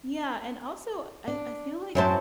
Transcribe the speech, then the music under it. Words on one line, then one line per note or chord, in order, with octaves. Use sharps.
Yeah, and also I I feel like,
D4
F#2 F#3 E4 C5 A5